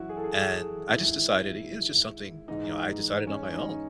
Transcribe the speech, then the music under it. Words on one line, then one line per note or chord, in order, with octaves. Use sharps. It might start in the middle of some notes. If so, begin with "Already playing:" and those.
And I just decided it was just something, you know, I decided on my own.
Already playing: F#2 E3 E4 F#4
G#4
A4
G#4
G#2 D#3 E4
G#2 E3 D#4
C#4
D#4